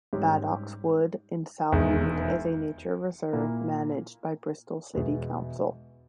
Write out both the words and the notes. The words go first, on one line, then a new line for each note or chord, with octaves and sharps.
Badock's Wood in Southmead is a nature reserve managed by Bristol City Council.
G#2 G3 C#4 G4
E1 E2 D#3 G#3
A#2 A#3 E4
E2 B2 G#3